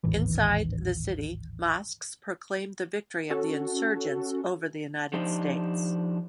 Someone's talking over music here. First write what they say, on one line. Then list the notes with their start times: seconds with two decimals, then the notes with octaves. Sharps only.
Inside the city, mosques proclaimed the victory of the insurgents over the United States.
0.04 A1 D#2 G#2 E3
3.30 C#4 F#4 A4
5.13 F3 D4 D#4 G4 C5